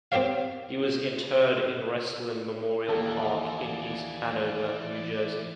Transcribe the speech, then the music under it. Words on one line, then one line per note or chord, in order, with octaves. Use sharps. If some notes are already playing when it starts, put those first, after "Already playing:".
He was interred in Restland Memorial Park in East Hanover, New Jersey.
C4 G4 A#4 C#5 F5
D#2 E3 A4 D5